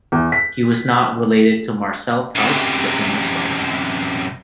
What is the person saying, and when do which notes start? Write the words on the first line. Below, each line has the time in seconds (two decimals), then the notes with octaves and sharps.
He was not related to Marcel Proust, the famous writer.
0.12 E2
0.32 B6
2.35 F#2 C3